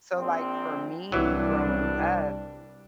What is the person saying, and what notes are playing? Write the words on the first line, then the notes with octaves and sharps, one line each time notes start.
So, like, for me growing up
A#1 C4
C2 G2 E3 F#3 D4